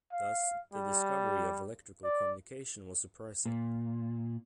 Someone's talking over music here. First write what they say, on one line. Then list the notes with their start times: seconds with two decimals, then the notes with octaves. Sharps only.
Thus, the discovery of electrical communication was surprising.
0.12 F5
0.73 G3
2.04 D5
3.46 A#2